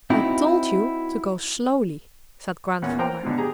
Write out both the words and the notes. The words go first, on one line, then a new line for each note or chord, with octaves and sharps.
"I told you to go slowly," said Grandfather.
C4 D#4 E4 F#4
E2 A#2 C#4 F#5
A#4 C5 G5 A#5
G#2 B2 D3
G4 G#4 A#5